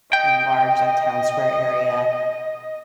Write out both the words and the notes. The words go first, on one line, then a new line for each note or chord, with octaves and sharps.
large, like, town square area
D#5 G5